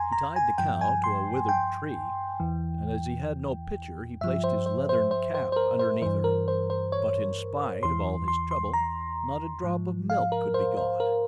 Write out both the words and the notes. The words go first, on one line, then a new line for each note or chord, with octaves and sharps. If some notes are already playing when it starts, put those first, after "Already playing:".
He tied the cow to a withered tree, and as he had no pitcher he placed his leathern cap underneath her; but in spite of all his trouble not a drop of milk could be got.
Already playing: F2 G#5 A#5 C6
A#5
G#5
G2 F3 G5
G#5
C6
G5
E2 E3
G2 F3 E5
C5
C5
C5
C5
C5
C5
A#4
C5
G2 E3 C5
A#4
C5
C5
C#5
E2 E3 C6
C6
C6
A#5
G#2 F3
F5
A#4
C5
C5
A#4